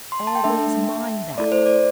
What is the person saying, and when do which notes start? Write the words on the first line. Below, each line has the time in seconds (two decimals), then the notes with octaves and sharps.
Always mind that.
0.12 C6
0.27 A5
0.35 G5
0.43 A3 D4 A4 E5
1.38 A3 E4 A4 D5
1.52 C5
1.66 D5